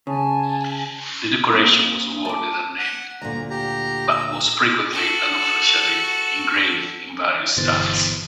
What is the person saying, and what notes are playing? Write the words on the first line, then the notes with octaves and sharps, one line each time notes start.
The decoration was awarded unnamed, but was frequently unofficially engraved in various styles.
C#3 G#5 A5
A#3 C4 D#6
A5 D6
F#5
D2 A#2 A#5
G4 A#5
A#5 E6
E6
F#4 A4
G1 B2 E3 C5 A6